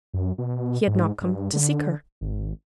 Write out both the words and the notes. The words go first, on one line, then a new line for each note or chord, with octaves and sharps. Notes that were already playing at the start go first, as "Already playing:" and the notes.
He had not come to seek her.
F#2
B2
G#2
G2
D3
G#1